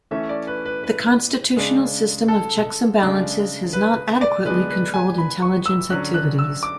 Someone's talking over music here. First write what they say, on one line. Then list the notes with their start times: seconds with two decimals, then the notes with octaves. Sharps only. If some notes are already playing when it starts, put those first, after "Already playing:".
The Constitutional system of checks and balances has not adequately controlled intelligence activities.
0.11 E3 A3 C#4 E5
0.29 D5
0.47 B4
0.65 B4
0.84 B4
1.56 C#3 G#3 D4
2.28 A4
3.01 C#3 G#3 D4
3.73 B4
4.21 D5
4.46 D3 G#3 B3 D4 B4
4.69 B4
4.94 G#5
5.18 B5
5.42 C#6
5.66 E6
5.90 D3 F#3 C#4 F#6
6.14 F#6
6.39 E6
6.63 D6